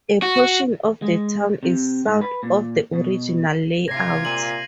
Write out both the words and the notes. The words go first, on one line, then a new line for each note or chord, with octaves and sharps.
A portion of the town is south of the original layout.
F#4
G#3
C3
G#2
B4
A#2
B2
C3 F4 G#6 A#6 C7
A#2 D#7 F#7